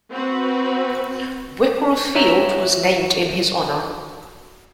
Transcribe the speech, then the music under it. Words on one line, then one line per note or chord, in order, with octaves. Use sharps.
Whipple Field was named in his honor.
C4 F#4 B4
F#4 C#5 E5 A#5